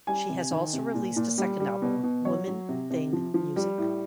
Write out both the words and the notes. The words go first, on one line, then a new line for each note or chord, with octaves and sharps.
She has also released a second album, "Woman Thing Music".
G3 G#5
C3
D#3
C3
A#2
A#2
G3
G3
B2
B2
F#3 C#5
F#3
C3
C3
F3
F3
G3
A2